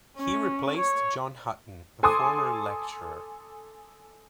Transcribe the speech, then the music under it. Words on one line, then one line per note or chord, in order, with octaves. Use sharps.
He replaced John Hutton, a former lecturer.
C#4
C#5
A4 G#5 C6 D6 D#6